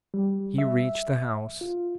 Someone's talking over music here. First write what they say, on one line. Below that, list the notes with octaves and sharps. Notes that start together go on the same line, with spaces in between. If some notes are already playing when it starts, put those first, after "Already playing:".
He reached the house.
G3
E5
F4